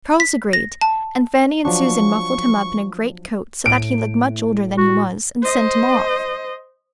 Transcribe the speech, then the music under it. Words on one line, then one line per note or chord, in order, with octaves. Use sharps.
Charles agreed, and Fanny and Susan muffled him up in a greatcoat so that he looked much older than he was, and sent him off.
B6
A#6
A5
F3 F#3 D4 C#6
A2 D7
F#4
C5 D#5